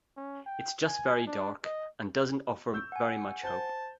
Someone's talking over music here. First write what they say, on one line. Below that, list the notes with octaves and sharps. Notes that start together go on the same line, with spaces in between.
It's just very dark and doesn't offer very much hope.
C#4
G5
G#5
D4
D#5
C#6 E6 G6
F#5 G#5
C5 A5 G6 G7